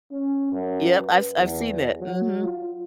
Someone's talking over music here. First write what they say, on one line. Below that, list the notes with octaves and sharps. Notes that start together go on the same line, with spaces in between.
Yep, I've I've seen that, mhm.
C#4
F#2
B4
E2
F#3
F4